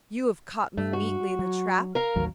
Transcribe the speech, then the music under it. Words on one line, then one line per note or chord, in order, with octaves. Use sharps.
You have caught me neatly in a trap!
G2 A3
F#4
F#3
A#4 F5
A1 D#2 F#3